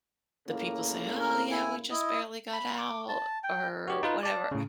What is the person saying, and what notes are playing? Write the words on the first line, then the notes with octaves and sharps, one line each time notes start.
the people say, "Oh, yeah, we just barely got out," or whatever.
A2 C#3 A#3
A#4
E4 G#5
E4 D#5
B5
D6
A5
G5
F#4 G4 C#5
D#4 F4 B4
D5 A5
A2 C#3